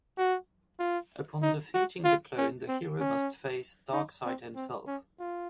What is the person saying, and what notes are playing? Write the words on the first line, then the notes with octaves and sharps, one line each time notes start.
Upon defeating the clone, the hero must face Darkseid himself.
F#4
F4
D#4
F#4
F4
C#4
C4
C#4
D#4
C4
C4
C#4
F4